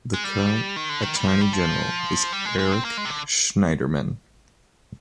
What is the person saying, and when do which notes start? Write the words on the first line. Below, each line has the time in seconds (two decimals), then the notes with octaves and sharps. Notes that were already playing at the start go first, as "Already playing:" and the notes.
The current Attorney General is Eric Schneiderman.
0.14 G#3
0.24 G3
0.76 D#3
0.89 D3
1.02 D#3
1.15 G3
1.28 F3
1.41 G3
1.53 F3
2.32 G3
2.45 G#3
2.59 G#3
2.72 C4
2.85 A#3
2.97 G#3
3.05 C3
3.10 D3